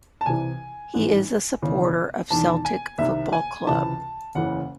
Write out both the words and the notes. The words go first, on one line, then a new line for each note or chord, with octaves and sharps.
He is a supporter of Celtic Football Club.
A5
C2 C3 E3 G#5
A1 G#2 E3
E1 D#2 C#3 E3
E1 E2 D#3 A5
G#5
C2 C3 D#3 E5
G#5
C#2 C3 E3 A5
F#1 E2 C#3 E3 F#5